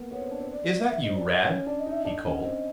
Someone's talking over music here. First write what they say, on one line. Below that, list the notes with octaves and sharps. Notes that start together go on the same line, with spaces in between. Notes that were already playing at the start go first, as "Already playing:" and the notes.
"Is that you, Rad?" he called.
Already playing: A#3 B3
B3 C#5
C4
D4
C4
D5
F5
E5
D#5
C4
D5
C#5
C#4
D4 D5
D#5
D#4
E5
D4 D#5
C#4
C4